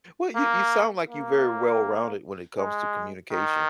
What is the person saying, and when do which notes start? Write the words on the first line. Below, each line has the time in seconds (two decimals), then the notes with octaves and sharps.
Well, you you sound like you very well-rounded when it comes to communication.
0.36 A#3
1.10 A#3
2.58 G#3
3.31 D#3